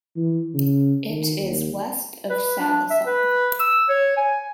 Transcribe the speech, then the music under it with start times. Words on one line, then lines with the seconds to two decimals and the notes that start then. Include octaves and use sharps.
It is west of Sallisaw.
0.16 E3
0.54 C#3
1.09 D#3
1.41 D#2
2.30 B4
2.59 D4
2.90 E5
3.06 B4
3.60 E6
3.89 C#5
4.17 G#5